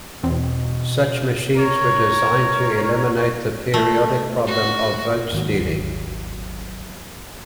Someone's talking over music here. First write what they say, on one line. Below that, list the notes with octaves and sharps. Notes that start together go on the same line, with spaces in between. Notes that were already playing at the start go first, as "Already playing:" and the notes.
Such machines were designed to eliminate the periodic problem of vote-stealing.
E2 B2 C4
A#4 C#5
A3
F#4
G#1 D#2 F#3